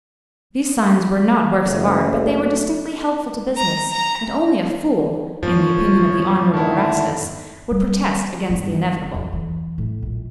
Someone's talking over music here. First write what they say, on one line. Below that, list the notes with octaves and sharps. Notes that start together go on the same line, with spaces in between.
These signs were not works of art, but they were distinctly helpful to business, and only a fool, in the opinion of the Honorable Erastus, would protest against the inevitable.
F#1 A3
A#5
A#5
F2 G#2 F3 B3 C#5
D3 D#3 A3 E4 A5
G3
G1
F2
E3
A2
A#1